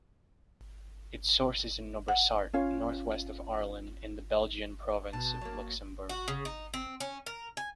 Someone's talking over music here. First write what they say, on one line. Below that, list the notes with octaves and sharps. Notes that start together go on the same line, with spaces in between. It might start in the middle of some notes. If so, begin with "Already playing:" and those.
Its source is in Nobressart, north-west of Arlon, in the Belgian province Luxembourg.
F#5
C#4 F4 C#5 F5
B2 A5
F#3 A#3
F#4
C#3
D#4
C4
C#4
A#4
G#5